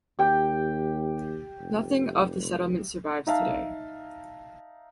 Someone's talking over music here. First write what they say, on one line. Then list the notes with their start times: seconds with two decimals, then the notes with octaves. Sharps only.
Nothing of the settlement survives today.
0.19 D#2 G4 G5
1.60 F1
3.27 D#4 E5 F5 A5